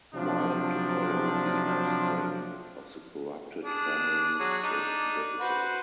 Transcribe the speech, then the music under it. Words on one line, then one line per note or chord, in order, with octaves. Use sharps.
While to follow the offspring of the corrupted families is difficult.
C3 F3 F#3 D4
D4 G#4
F#3 G#4 C#5
D4 D#4
F#4 B4 C5